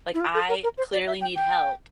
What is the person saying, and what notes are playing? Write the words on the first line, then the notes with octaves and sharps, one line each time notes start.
Like I clearly need help,
E4
F4
A4
A#4
A#4
C5
D5
E5
G5
G5